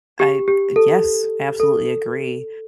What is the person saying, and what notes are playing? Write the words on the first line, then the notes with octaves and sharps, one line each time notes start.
I, uh, yes. Absolutely, I agree,
G4
G4
A4
A4